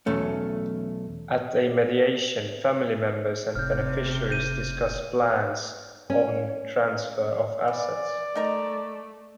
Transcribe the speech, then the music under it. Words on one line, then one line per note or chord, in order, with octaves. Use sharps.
At a mediation, family members and beneficiaries discuss plans on transfer of assets.
B1 E2 A3 C#4
F1 C3 F6 G6
G6 D#7
C#4
E3 D5
A3 D#4 A#4 A#5